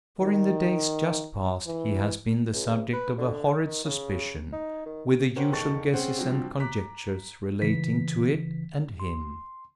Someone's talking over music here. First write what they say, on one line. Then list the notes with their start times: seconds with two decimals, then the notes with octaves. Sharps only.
For in the days just past he has been the subject of a horrid suspicion, with the usual guesses and conjectures relating to it and him.
0.22 D#3
1.67 E3
2.53 C#2
2.93 B4
3.18 D3
3.66 D#3
3.84 C#3
4.52 D#4
4.85 D#3
5.36 C#4 G4 A#4 C5 C#5 F#5
5.52 E1 D#3 A4 C#6 A6
5.94 C4 C#4 G#4 C5 F#5 G5
6.17 F3 G3 C4 D4 F#4 G4
6.60 A#5 D6 F#6 B6
7.62 C#3 E3 B6
9.00 C6